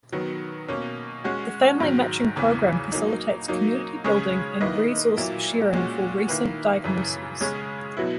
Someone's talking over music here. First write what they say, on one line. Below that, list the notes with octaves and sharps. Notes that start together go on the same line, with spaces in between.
The family matching program facilitates community building and resource sharing for recent diagnoses.
D#3 F#3 B3
B2 A#3 C#4
G#3 C#4 F#4
G#2 D#3 F#3
E2 C#3 E3
F#3 A#3 D#4
F#3 A#3 D#4
C#3 G#3 C#4 G#4 C#5
D#3 A#3 E4 B4 D#5
A#2 F#3 A#3 E4
A#2 G#3 C#4 F#4
D#3 A#3 E4 B4
F#2 C#3 E3
C#3 G#3 C#4 G#4
B2 F#3 B3 E4